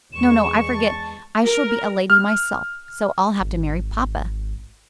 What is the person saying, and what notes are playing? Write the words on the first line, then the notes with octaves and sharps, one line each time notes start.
"No, no, I forget, I shall be a lady myself: so I'll have to marry papa."
E2 G#3 C#6 E7
A5
A#4
F6
G#1